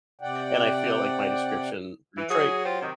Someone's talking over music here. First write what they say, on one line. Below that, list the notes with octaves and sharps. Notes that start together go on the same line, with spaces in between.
and I feel like my description Detroit
C3 D5 F#5 G5
E3
F#3 F#4 G#4
F4 G4 C5
C3 D#3